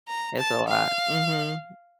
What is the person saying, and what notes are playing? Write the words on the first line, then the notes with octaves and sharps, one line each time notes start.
It's a lot. Mhm.
A#5
A5
F5